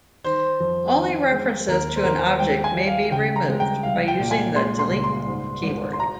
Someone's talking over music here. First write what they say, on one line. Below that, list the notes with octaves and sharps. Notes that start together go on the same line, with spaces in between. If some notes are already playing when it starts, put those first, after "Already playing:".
Only references to an object may be removed by using the "delete" keyword.
D#3 C5
F2
D#3
G#3
D#2 A#4
C5
D#2 A#4
G#1 G5
G#5
G3
F5
C#3 G5
A#5
G#3
G5
C2 F5
G5
A#2
G#5
G#3 C6
C6
C#2
C6
G#2
G#1
C6
A#5